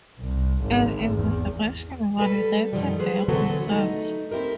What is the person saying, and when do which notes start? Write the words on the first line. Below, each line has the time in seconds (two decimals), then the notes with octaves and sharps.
An investigation validated their concerns.
0.20 C2
0.62 G#1
1.14 E2
2.18 G3 A4 B4
2.73 F#2 A#2 D#3 F3 G3
2.99 G#4 B4 C5
3.28 D3 E3 F#3 B3 C4 A4
3.67 A3 D#4
4.31 C4 E4 G4 A#4